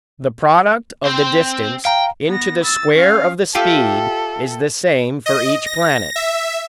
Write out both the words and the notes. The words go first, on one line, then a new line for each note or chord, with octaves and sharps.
The product of the distance into the square of the speed is the same for each planet.
C4 C5
F5 G5 A#5
B3 A#6
E6 A6
C#4 F5
F4 G4 A4 E5
D#5
A#6
E5